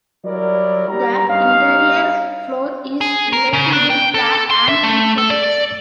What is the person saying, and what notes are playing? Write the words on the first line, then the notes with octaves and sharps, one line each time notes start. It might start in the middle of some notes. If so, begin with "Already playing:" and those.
The interior floor is relatively flat and featureless.
F#3 G3 E4 A#4 C#5 D5
G3 A#5
G2 C#4 D#4 F5
G#4
A#4
C#3
D4
G5
A4
C6
E5
A3
A4
D5